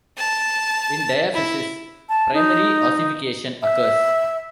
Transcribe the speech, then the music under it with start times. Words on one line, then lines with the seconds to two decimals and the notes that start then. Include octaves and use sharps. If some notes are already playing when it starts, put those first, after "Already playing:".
In diaphysis, primary ossification occurs.
0.18 A5
1.34 E4
2.09 A5
2.34 D#4
3.62 E5